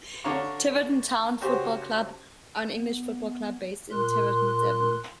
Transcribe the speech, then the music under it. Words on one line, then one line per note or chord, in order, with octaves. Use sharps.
Tiverton Town Football Club are an English football club based in Tiverton, Devon.
D3 D4 C#5 F5 A#5 C#6
C#3 C#4 F#4 G4 C5
B3
A#2 A#4 C6 F#6